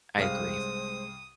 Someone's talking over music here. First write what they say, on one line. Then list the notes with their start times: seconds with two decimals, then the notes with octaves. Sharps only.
I agree.
0.18 C2 G2 G#3 C5 F5 D#6